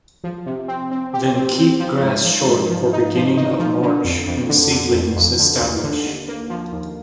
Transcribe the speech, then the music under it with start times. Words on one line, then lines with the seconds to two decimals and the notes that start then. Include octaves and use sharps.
Then, keep grass short for beginning of March when seedlings establish.
0.24 F3
0.46 C3
0.68 C4
0.91 C4
1.14 G4
1.36 C4
1.59 C4
1.80 F3
2.03 G#2
2.25 F3
2.48 G#2
2.70 F3
2.93 D#4
3.15 F3
3.37 D#4
3.59 F3
3.82 D3
4.05 F2
4.27 F2
4.49 D3
4.71 D3
4.94 F2
5.16 F2
5.39 D3
5.61 D#2
5.84 D3
6.06 D#2
6.28 A#3
6.50 F3
6.72 D#2